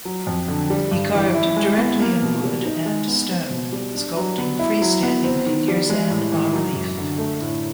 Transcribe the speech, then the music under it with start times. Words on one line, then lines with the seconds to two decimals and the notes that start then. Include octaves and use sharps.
He carved directly in wood and stone, sculpting free-standing figures and bas relief.
0.05 F#3
0.27 F2
0.48 D3
0.70 G3
0.91 G2
1.14 E3
1.35 E4
1.56 G#3
1.78 B3
2.00 A#3
2.22 B2
2.44 G3
2.65 D#4
2.86 G#3
3.08 B3
3.30 C4
3.51 B2
3.72 G3
3.95 D4
4.17 F#3
4.38 B3
4.59 E4
4.82 F#3
5.03 B3
5.24 C4
5.46 D#3
5.68 G3
5.90 G#3
6.10 A2
6.32 E3
6.53 F#3
6.75 F#2
6.98 D3
7.18 A3
7.40 A2